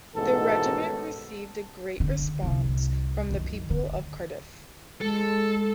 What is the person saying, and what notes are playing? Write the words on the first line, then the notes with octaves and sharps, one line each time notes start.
The regiment received a great response from the people of Cardiff.
A1 G#2 B2 D#3 A4
D3
C2 C3
F#2 D#3
D3
G#3 A4